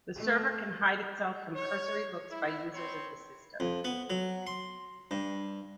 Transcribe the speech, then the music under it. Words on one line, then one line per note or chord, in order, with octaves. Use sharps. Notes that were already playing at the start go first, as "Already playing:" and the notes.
The server can hide itself from cursory looks by users of the system.
A3
C#5
E4
A#3 C4 C#5 B5 C6
F2
B3
F#3
C6
G2